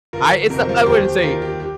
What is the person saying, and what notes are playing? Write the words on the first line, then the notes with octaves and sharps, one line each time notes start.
I It's not I wouldn't say
G1 F4 A#4
F2 C3 A#4
C5
F4 A#4
D#2 G4 C5
G4
D#3 F4 A#4
G4
G4